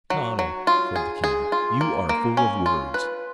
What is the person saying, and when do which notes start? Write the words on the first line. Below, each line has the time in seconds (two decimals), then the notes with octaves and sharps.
Conall," said the king, "you are full of words.
0.10 F#3
0.39 F#3
0.67 F4
0.96 G#4
1.24 G#4
1.52 F4
1.81 A#3
2.09 A#3
2.37 C#4
2.66 F4
2.94 B4